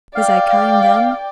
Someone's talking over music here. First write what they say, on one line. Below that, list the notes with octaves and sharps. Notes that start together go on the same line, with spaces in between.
Was I kind then?
D5 F5 G5